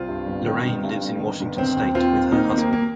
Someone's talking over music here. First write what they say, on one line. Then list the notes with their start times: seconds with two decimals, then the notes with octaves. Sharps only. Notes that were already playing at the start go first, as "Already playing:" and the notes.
Lorraine lives in Washington state with her husband.
Already playing: C2 C4 F4
0.09 G2
0.26 G1
0.46 D#3
0.64 G1
0.84 G2
1.02 G1
1.20 D#3
1.40 G1
1.57 D#3 C4
1.77 D#2
1.95 D#2 C4 F4
2.13 D#3
2.32 D#3 A#3 D#4
2.49 D#2 C4
2.58 A#3
2.69 D#2 A#3